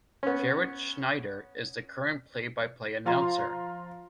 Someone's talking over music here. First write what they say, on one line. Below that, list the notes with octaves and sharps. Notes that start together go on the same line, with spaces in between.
Jaret Schneider is the current play-by-play announcer.
B3 C#4
F3 F4 F5 A#5 C6